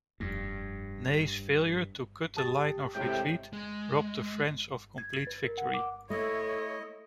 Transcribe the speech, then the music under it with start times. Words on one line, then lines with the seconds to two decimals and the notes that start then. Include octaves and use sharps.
Ney's failure to cut the line of retreat robbed the French of complete victory.
0.20 F1 G2
2.37 G4 A5 D#6 A6
2.95 A2 C3 G#3 G4 G5
3.53 G#3
4.98 G#6
5.13 A6
5.27 B4
5.43 A#4
5.58 F#5
5.74 D6
6.10 A3 E4 A4 C#5 D#5